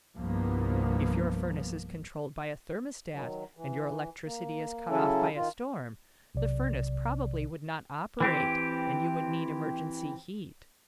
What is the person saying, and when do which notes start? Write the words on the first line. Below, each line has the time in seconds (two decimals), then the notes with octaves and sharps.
If your furnace is controlled by a thermostat and your electricity is cut off by a storm, the furnace probably would not operate and you would need emergency heat.
0.16 C2 G2 F3 A#3 B3
3.13 D#3 F#3
3.57 E3
4.26 A#3
4.90 C#3 F#3 C#4 E4 A4
5.36 D#3 F4
6.35 B1 C3 D5
8.20 E3 C4 G4